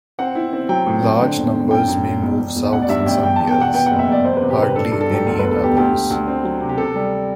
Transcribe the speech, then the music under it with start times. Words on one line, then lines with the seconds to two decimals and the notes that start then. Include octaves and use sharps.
Large numbers may move south in some years; hardly any in others.
0.19 C4 F#5
0.35 E4
0.53 C4
0.69 F#3 G5
0.86 A2
1.03 C4
1.20 D3
1.37 E1
1.54 D3
1.71 F#2 G5
1.88 F#2
2.04 F#2
2.22 E1
2.39 E1
2.56 E1
2.72 A1 F#5
2.82 D5
2.89 G2 E5
3.06 A1 G5
3.23 E2 G5
3.36 E2 A5
3.48 G5
3.57 B2 F#5
3.74 B3 G5
3.86 F#1 F#5
3.99 E5
4.07 F#1 D5
4.24 E2 C5
4.37 C3 B4
4.50 G4
4.58 C3 B4
4.76 G2 A4
4.92 G2
5.01 A4
5.09 F#3 G4
5.26 D2 A4
5.39 E1 B4
5.51 A4
5.60 E1 G4
5.77 D2 G4
5.94 D2
6.10 D2
6.28 C4
6.44 F#3
6.61 C3
6.69 G4
6.78 C3 A4
6.95 G3